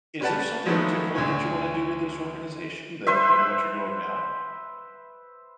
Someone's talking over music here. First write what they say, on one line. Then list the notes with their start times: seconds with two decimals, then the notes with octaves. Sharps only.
Is there something different that you wanna do with this organization than than what you're doing now?
0.21 C#4 G4 B4 D5 F#5 A5
0.65 D#3 F3 F#3 G#3 A3 B3
1.15 D2 D3 C#5 G#5
3.07 B4 C5 E5